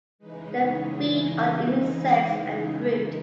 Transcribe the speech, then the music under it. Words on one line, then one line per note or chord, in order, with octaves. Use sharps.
They feed on insects and fruit.
C#3 E3 G#3 D#4 B4
C#5
D#5
E5